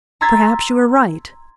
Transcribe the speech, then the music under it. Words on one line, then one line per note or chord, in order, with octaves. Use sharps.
Perhaps you are right.
A#5 C6 E6 G#6 A6 B6